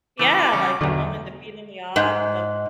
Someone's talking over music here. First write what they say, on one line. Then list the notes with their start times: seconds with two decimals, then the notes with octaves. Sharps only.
Yeah. Like, a woman defeating the odds of,
0.19 C#3 E3 A3 D6
0.53 C#3 G3 C#5
0.81 E2 B2 D3 D#3 F#3
1.96 G#2